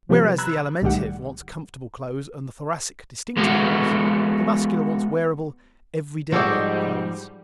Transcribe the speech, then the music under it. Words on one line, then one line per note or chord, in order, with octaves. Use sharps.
Whereas the Alimentive wants comfortable clothes and the Thoracic distinctive ones the Muscular wants wearable, "everyday" clothes.
C3 F3 G3 C4 G4 B4
A#5 B5 E6 F#6 G#6
C2 A2 D#3 G3 G4 F#5
G#3 B3 F#4 A4
G#2 F3 G3 F#4 A4 D5 D#5